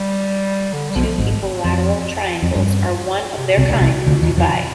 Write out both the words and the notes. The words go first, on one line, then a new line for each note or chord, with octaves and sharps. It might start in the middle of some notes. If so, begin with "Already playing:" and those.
Two equilateral triangles are one of their kind in Dubai.
Already playing: G3
D3
G3
B1 B2 F3
G#1 G#2
F2
F2
G2
C3
B2
C2 C3
D2 D3
C2 C3
B2
D2 D3
D#2 D#3
F2 F3